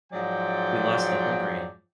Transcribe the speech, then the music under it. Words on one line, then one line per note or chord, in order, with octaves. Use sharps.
We lost the whole grain.
G#2 F3 F#3 D5 G5